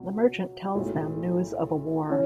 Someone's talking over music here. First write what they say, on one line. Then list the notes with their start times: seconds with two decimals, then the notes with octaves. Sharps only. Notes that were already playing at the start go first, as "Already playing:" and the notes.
The merchant tells them news of a war.
Already playing: C#2 B2 F#3
0.74 B1 A2 G#3
2.10 E3 C#4